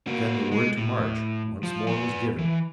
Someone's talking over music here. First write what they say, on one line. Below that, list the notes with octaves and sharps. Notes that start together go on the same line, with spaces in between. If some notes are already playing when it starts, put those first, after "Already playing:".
Then the word to march once more was given.
A#3 F#4
G#3
A2
F3
B3 G#5
E3